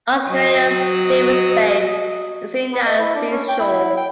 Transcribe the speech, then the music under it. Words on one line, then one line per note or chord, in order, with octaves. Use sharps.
Australia’s Davis Base is in that sea’s shore.
F#3 D#5
B3
D#5
E4
D4
C#4
G5
E4
G5